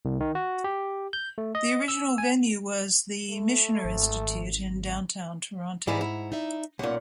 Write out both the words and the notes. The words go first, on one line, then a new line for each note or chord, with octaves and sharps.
The original venue was the Michener Institute in downtown Toronto.
C2
D#3
F#4
G4
G6
A3
D#5
E6
G#5
A3
G#1
G#2 G3 G#3 E4 F#5 A#5
E4
D#4 D5 E5
B1 A#2 A#3 C#4 F#5